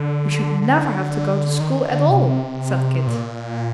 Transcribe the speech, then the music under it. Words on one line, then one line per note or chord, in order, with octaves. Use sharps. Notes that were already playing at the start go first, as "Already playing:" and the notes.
"We should never have to go to school at all," said Kit.
Already playing: D3
D3
D#3
D3
C3
A#2